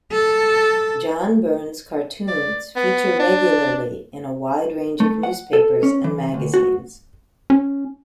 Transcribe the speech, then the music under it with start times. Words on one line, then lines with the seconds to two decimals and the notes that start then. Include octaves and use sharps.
John Byrne's cartoons feature regularly in a wide range of newspapers and magazines.
0.12 A4
2.28 D5
2.76 B3
3.19 D4
5.00 A3
5.23 F#5
5.53 A4
5.83 C#4
6.04 E3
6.34 D2
6.54 F#4
7.50 C#4